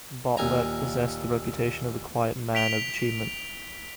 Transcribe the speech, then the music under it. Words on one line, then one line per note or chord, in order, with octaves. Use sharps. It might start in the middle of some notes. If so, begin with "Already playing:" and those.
Bartlett possessed the reputation of a quiet man of achievement.
D#2 A#2 G#5 A#5
B6 D7 F7 G7